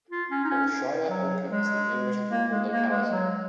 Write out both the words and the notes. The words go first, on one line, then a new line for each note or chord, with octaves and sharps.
Bolshaya Oka is the nearest rural locality.
F4
C#4
D#4
C#4
F#3
G#3
A#3
G#3
A#3
G#3
F#3